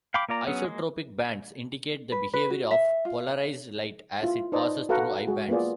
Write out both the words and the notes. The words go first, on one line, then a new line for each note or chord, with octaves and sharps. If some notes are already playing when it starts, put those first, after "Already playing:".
Isotropic bands indicate the behavior of polarized light as it passes through I bands.
F5 G5 B5 D6
A#3 F4 D5 A#5
F#3 B3 C#4 G#4
G#3 A#3
B4
B4
F#4
E5
F4
E4 F4 G4 E5
D#4 B4 C5 D5 D#5 A5
F#4 A4 B4 F5 F#5 A#5
G#3 F#4 G#4
A#3 B3 F4 G#4 D5